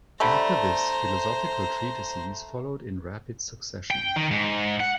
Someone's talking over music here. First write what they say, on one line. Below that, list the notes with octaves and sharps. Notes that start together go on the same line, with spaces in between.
After this, philosophical treatises followed in rapid succession.
D3 G3 A3 C5 A#5
G5
D#3
G#2
F#5